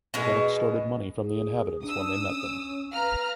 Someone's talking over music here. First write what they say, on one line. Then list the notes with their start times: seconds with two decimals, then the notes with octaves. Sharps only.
They then extorted money from the inhabitants when they met them.
0.14 B2 G#3
1.19 G#4
1.82 D4 D#6 E6
2.26 C#4
2.92 B4 F5 A#5 F6